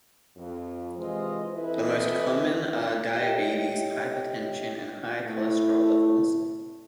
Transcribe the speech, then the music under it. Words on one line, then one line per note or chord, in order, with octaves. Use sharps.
The most common are diabetes, hypertension and high cholesterol levels.
F2
C3 E3 G#3 F4 C5 D#5
E3 C4 E4 A4 B4 D#5
G4 A4 C#5 D#5 E5 G5
A2 A3 E4